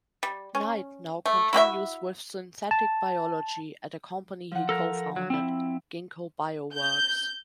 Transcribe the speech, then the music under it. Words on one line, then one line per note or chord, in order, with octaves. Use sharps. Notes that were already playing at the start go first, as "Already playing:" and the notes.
Knight now continues with Synthetic Biology at a company he co-founded, Ginkgo Bioworks.
G3
C#4
A3
E4 F#4 G4 E5
A5
F3 F#5
A4 A#4
F#3
C4 E4
G6